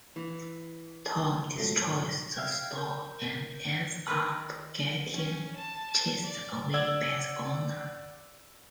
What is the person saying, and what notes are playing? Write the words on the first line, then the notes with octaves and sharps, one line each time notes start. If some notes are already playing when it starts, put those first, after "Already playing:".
Tom destroys the store and ends up getting chased away by the owner.
E3
G#2 B2 F3 F#3 A3
E5 F5 G5 G#6
A#4 G6
D#3 B4
C#4
A5
A5
D5
D5 F#5 E6 G#6